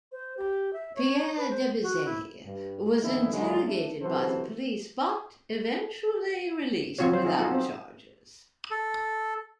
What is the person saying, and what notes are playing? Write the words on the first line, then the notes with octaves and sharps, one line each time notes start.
Pierre Debizet was interrogated by the police, but eventually released without charges.
C5
G4
E5
C#5
B4
C5
F#4
E4
G2
G#1 D3 E3 C4 D#4 E4
D#2 D3 F#3 G#3
A3 D4 E4
C3 E3 F#3 A4 C5
F3 C4 F4 F#4 C#5
F#3 C5
D#4 F4 G#4
B3 D#4 F4 F#4 G#4 A4
C4 C5
A4